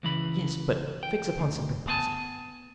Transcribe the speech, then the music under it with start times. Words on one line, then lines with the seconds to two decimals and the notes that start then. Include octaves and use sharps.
"Yes; but fix upon something positive."
0.03 C#2 E3 B5
1.03 G5
1.39 D2
1.88 B3 G#5 A5